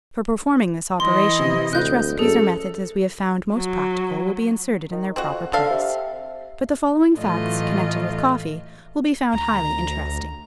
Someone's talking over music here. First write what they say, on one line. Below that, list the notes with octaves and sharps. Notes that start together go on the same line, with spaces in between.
For performing this operation, such recipes or methods as we have found most practical will be inserted in their proper place; but the following facts connected with coffee will be found highly interesting.
E3 D#5 C6
C3
D2 F#6 G6
F#2 G#4 A4
F#3
D#3
F2 C4 F#4
D3 A4 E5 F5
C3
A2 E3 F#3 A3 F4 D#5
D2 A#5